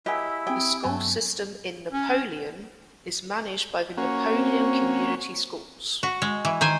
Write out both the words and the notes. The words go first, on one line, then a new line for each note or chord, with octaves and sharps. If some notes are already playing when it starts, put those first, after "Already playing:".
The school system in Napoleon is managed by the Napoleon Community Schools.
F#3 A#3 E4 G4 G#4 D#5 G#5 E6
C4 G4 G#4 G5
G2 F#3 A3 B3 F#4 G#5
C#4
A#3 C#4 F#4
C4
F#4
G#3
E3
D#3 C5 G#5